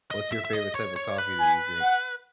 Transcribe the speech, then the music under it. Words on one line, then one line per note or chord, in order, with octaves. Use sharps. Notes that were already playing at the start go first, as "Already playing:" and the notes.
what's your favorite type of coffee that you drink?
D#5
E5
E5
D#5
C#5
C#5
B4
G#5
F#5